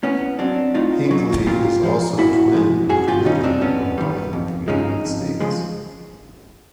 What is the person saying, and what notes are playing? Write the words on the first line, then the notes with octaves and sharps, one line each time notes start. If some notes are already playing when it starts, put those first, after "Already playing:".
Hinckley is also twinned with Midland, Ohio, United States.
A2 B3 C#4
F#3 C4 D4
A2 D#4 F4
F#3
A#2 F4 G4
F3 G#3
A#2 E4 F#4
F3 G#3
G2 F#4 G#4
F4 G4
D#3 G3 C#4 D#4
C4 D4
G2 B3 C#4
D#3 G3
F2
C#3 F3 G#3 C#4 D#4
F2
C#3 F3 G#3